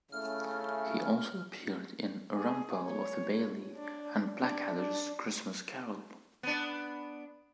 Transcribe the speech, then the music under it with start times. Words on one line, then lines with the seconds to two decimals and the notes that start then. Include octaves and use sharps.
He also appeared in "Rumpole of the Bailey" and "Blackadder's Christmas Carol".
0.12 C#3 A3 C#4 E4 F6
2.34 G#4
2.86 C#5
3.77 D4
4.39 D4
4.76 D4
6.43 B3 D4